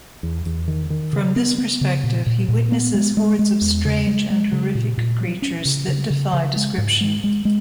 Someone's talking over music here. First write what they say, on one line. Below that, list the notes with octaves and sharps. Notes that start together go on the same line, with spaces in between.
From this perspective, he witnesses hordes of strange and horrific creatures that defy description.
E2
E2
D#3
D#3
C#3
B3
B3
C#3
A#2
A#2
A#2
B3
G#3
G#3
G#3
E2
C#3
G#3
G#3
C#3
A#2
A#2
F#3
C#4
C#3
C#3
C#3
C#3
G#3
G#2
G#3
G#3
G#3